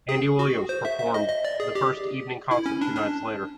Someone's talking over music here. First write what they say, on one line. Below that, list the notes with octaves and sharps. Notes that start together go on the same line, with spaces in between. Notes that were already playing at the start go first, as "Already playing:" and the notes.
Andy Williams performed the first evening concert two nights later.
G#4
F#4
C5
E5
E5
D#5
D#5
D5
G#4
G4
E4
C#4
D4
D4